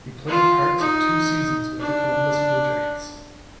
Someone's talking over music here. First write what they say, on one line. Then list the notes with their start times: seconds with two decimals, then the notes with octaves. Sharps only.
He played parts of two seasons with the Columbus Blue Jackets.
0.28 F4
0.79 D#4
1.79 D4